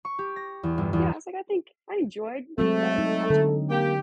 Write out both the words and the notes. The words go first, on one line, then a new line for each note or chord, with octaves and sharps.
yeah, I was like, I think I enjoyed it, but not too much.
C#6
G4
A#6
E2
G1
E2
F#3 G#3 A3 C4 A4
D#4
D3 A4
A#3 G4